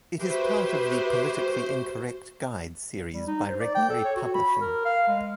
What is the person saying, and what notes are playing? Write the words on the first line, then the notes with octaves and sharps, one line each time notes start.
It is part of "The Politically Incorrect Guide" series by Regnery Publishing.
G#3 F#4 G4 B4 C5 E5
G3
D#4
C5
D5
G5
A4
C#5
F#4
B5
A#4
F5
G#3